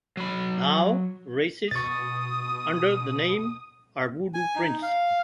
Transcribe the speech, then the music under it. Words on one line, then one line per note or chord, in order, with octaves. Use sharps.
Now races under the name Our Voodoo Prince.
F#3 B5
B2 C#6 D#6 A6
G#5
D#4
F5